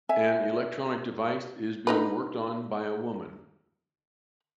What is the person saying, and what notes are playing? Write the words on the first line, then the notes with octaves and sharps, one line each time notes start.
An electronic device is being worked on by a woman.
E5 G#5
D3 D#4 B4